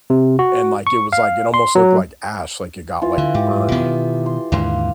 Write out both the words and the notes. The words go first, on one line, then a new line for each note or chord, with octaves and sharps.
and, like, it was like, it almost looked like ash, like it got, like, burned,
C3
F#4
C#6
F5
C6
F#3
E3 F4
D3
G#2 G4
B2 D#3 B3
C6
D#2 G#2 D3 F5 C6